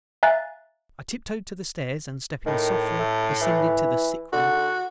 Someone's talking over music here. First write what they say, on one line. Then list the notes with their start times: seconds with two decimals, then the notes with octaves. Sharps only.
I tiptoed to the stairs and, stepping softly, ascended to the sick room.
0.23 E5 F5 G#5 A#5 F#6 A6
2.46 A2 D#3
2.99 A3
3.41 E3
4.32 D3 F#4